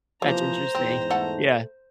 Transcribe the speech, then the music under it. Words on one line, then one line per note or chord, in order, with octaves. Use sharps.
That's interesting. Yeah.
C3 E3 F3 A#3 C5 A#5
E2 G#2 C4
A3 A4 F#5